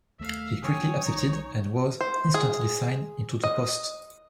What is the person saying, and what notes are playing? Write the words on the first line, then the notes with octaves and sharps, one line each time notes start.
He quickly accepted, and was instantly signed into the post.
D#2 A3 E5 F5
B2 D3 F#3 C#5 G5 G#5 D#6
B1 D#4 A#5
C5
G#4
D#5